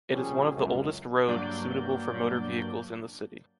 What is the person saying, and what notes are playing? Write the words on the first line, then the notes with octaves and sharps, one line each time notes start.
It is one of the oldest road suitable for motor vehicles in the city.
A#2 F3 G3 C#4 G#4
C#2 F#2
G2 F#3 A#3 D4 D5 G6